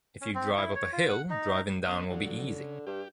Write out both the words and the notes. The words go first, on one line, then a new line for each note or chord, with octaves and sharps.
If you drive up a hill, driving down will be easy.
C#4
C4
E4
C#5
F4
F#5
D#4
B3 C#4 D#5
D3 F3 F#3
C#3
G2 G4